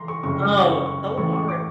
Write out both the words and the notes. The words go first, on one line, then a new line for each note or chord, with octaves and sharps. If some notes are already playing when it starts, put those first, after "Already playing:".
Oh, so hard.
Already playing: E3 A#5 C6
C#6
F#1 F2 C3 C#6
C#6
C#6
A1 A2 E3 C#6
C#6
D6